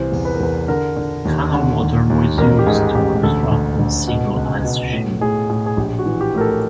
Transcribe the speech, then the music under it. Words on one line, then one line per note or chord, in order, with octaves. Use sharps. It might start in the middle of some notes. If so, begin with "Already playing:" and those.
Canal water was used to construct the single ice sheet.
Already playing: C2 E3 C5
E2
B4
A#4
E2 B4
D3 A#4
D3
D#2
D3
D#2
D#2
A1 A#4
G4
G#2 G#4
A1 G4
D2 A4
D2
D2
B2
C#2
B2
A2
A2 G#4
A2 G#4
G#4
A#1 G4
F#4
E3
G4
A2 A#4
A4